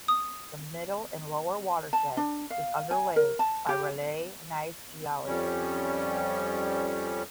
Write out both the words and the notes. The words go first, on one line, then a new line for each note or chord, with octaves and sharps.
The middle and lower watershed is underlaid by Raleigh Gneiss geology.
D#6
A5
D4
F5
G#5
A#4
A5
G4
F2 G3 C#4